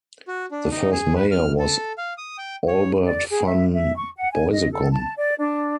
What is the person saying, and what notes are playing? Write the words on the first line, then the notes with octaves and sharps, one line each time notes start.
The first mayor was Albert Van Beusekom.
F#4
D4
D#4
G#4
B4
F6
A4
F5
D#6
G5
C#5
D5
G#4
E5
E5
C#6
F#5
G#5
D#5
A4
A5
D5
D4